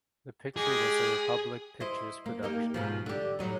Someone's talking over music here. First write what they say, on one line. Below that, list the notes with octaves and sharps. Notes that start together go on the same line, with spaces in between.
The picture was a Republic Pictures production.
G#3 G4 G#4
E4 C5 D#5
A#3
A#3 D#4 G4
G#2 B2 F3
D3 G4
A2 F#3 D#4